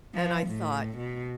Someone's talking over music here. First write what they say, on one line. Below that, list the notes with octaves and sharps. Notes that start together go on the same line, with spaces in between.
And I thought,
F3
A2
B2